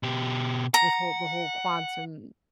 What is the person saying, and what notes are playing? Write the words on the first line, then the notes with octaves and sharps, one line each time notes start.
with whole The whole quantum
B2 G4
F#5 A#5